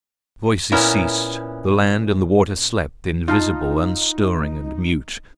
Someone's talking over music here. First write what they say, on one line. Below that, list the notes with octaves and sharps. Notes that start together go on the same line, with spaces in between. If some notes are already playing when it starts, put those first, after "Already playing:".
The voices ceased. The land and the water slept invisible, unstirring and mute.
A#2 B3 C#4 E4 A#4
D#4 F4 F5 A5